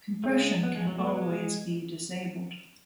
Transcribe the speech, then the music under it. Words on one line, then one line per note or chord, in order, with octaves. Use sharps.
Compression can always be disabled.
A3
C#3 G#3
B3
G#3
F#3
B2 A3
G#3
F#3
G#3